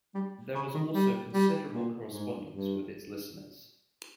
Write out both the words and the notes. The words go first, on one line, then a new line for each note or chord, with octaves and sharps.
There was also considerable correspondence with its listeners.
G3
C#3
D#3
G3
G3
A#2
G#2
G2